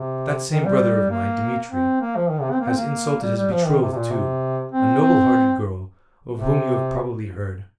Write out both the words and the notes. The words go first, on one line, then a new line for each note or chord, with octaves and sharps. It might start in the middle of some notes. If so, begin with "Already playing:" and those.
That same brother of mine, Dmitri, has insulted his betrothed, too, a noble-hearted girl of whom you have probably heard.
Already playing: C3
D#3
G3
A#3
C4
A#3
F3
D#3
C3
C4
A#3
C4
A#3
G3
G3
F3
D#3
C3
C3
A#2
C3
C4
C4
C3